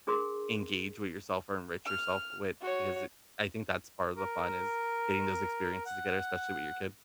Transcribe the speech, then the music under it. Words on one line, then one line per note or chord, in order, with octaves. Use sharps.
engage with yourself or enrich yourself with because it I think that's part of the fun, is getting those experiences together, especially with your kid.
D4 G#4 A#4 C6
F6
F#4 C#5
A#4
F#5